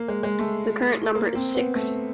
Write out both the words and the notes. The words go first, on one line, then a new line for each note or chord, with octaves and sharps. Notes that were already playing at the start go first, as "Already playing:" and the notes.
The current number is six.
Already playing: A#3
G#3
G#3
A3
A#3
C4
B3
A3